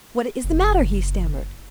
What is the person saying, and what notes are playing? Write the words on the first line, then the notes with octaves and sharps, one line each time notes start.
"What is the matter?" he stammered.
F#1